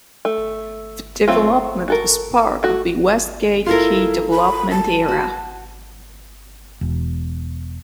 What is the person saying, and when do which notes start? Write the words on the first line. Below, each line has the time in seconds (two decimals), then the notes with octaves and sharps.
The development is part of the "Westgate Key Development Area".
0.25 A3
1.28 F#3 A3 C4 F4
1.88 F#4 A4 A#4
2.63 A3 F#4
3.66 E4 F4 A4 A#4
4.31 B5
4.71 A5
5.09 F#4
6.81 E1